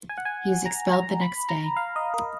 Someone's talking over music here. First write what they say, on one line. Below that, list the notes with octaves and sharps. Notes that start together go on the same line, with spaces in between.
He was expelled the next day.
G#5
F#5
G#5
A#5
A#5
B5
A#5
F5
D#5
A#4